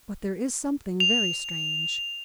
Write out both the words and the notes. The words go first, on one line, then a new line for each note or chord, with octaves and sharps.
But there is something very strange.
F7